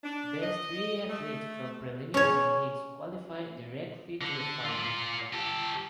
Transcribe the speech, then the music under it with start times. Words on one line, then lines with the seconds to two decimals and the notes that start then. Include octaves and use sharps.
Best three athletes from preliminary heats qualify directly to the final.
0.04 D4
0.42 D#5
1.09 A3
2.14 C#4 C#5
4.21 D3
4.64 F4 D5
5.33 G4 A4